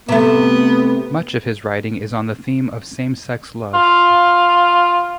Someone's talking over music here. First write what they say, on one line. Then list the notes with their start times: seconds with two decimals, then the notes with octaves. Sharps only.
Much of his writing is on the theme of same-sex love.
0.09 C3 A3 B3
3.74 F4